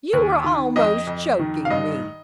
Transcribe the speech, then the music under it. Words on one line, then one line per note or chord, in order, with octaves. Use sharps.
You are almost choking me!
D#2
D#3
F2 D#5
F2
D#3
F5
G2 D#5